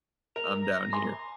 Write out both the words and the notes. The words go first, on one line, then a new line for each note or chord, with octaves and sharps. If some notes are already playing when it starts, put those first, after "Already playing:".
I'm down here.
A#4 F7
A#5
G#5 C6